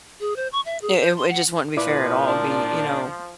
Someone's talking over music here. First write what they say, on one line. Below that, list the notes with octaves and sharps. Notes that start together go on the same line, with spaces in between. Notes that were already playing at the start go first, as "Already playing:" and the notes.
It it w it just wouldn't be fair at all. It'd be, you know,
G#4
C5
C#6
E5
G#4
C5
C6
F#5
A#2 F3 E4 B4 D5 D6
D4